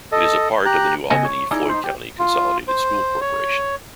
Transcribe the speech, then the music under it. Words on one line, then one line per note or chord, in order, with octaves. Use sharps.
It is a part of the New Albany-Floyd County Consolidated School Corporation.
A4 D#5
G4 A#5 F#6
C#3 B3 A4 D#5 G#5
C#5
D#4 E4 G#4 D5
D#4 C5
G4
F4
C5
C#5